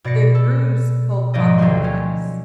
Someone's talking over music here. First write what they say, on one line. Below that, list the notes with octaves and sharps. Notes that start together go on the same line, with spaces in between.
it brews cold coffee over ice.
B2 D5 A6 A#6 C#7
A4
G#1 F3 D5 D#5
D2 D3 F#3 G3 C6
C#4